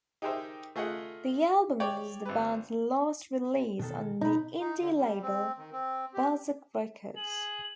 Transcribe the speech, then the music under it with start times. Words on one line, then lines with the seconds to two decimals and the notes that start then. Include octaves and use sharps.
The album was the band's last release on the indie label Barsuk Records.
0.22 D#4 G4 G#4 A#4 C5 E5
0.76 A3 F4 G#4 D#5 F#5
1.80 G4 C#5 D5 G5
2.25 G#1 B4
3.79 B2 D#3 A4
4.21 B2 D#4 B5
4.60 D#4
4.81 D3
4.97 G3
5.22 C4
5.58 D#3
5.72 C4
6.14 G4
7.16 G#4 F#7